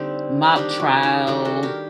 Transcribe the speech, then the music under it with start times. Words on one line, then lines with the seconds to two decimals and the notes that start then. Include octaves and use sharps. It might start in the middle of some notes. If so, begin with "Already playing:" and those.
mock trial,
Already playing: D3 G3 C4 D#4 G4 A4
0.56 D#3 G3 D4 D#4 G4
0.71 G4
0.80 F#4
1.03 D#4 G4
1.27 D#3 G3 D4 F#4 A4
1.45 F#4 A4
1.63 G4 A#4